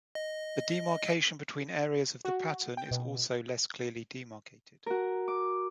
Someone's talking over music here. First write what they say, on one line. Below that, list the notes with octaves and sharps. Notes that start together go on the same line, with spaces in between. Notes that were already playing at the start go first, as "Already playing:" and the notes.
The demarcation between areas of the pattern is also less clearly demarcated.
D#5
F#4
G5
B2
F#4 A#4
D6